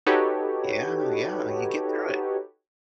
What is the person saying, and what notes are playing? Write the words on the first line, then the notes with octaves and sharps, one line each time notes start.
Yeah, yeah, you get through it.
D#4 F#4 G4 A4 B4 C#5